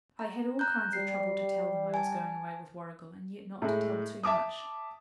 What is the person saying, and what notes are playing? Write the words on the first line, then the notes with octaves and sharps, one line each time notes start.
'I had all kinds of trouble to tell them I was going away with Warrigal, and yet not to tell too much.
A#5
A#5 F#6 G6
G3 C7
G#5 A5
A2 G#3
E5 A5 D6 D#6